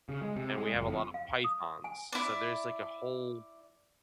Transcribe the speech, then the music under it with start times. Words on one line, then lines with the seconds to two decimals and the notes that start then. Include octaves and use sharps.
and we have a lot of pythons. So, there's like a whole
0.09 C#3
0.22 G#3
0.36 C3
0.57 G#3
0.74 F#1
0.87 F2
1.14 F5
1.44 D#6
1.84 G#5
2.12 E4 D5